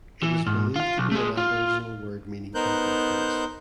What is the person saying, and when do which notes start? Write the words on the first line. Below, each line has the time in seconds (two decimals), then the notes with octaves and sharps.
It is believe to be an Aboriginal word meaning "camping place".
0.23 E3
0.46 G#2
0.76 F4 F5
0.98 B1
1.11 A3 G#4
1.37 F4
2.55 B3 D#4 A#4 C5 F#6 G6